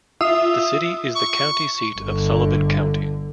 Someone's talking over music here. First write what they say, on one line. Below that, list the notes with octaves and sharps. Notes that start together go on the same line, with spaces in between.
The city is the county seat of Sullivan County.
F4 E5 D#6 E6
C#6
G1 D3